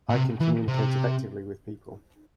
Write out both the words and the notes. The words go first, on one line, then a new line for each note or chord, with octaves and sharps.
I can communicate effectively with people.
A#2
C3
E3
C3